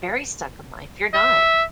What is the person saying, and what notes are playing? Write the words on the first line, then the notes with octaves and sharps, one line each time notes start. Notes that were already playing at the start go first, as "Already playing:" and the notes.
very stuck in life. You're not.
E5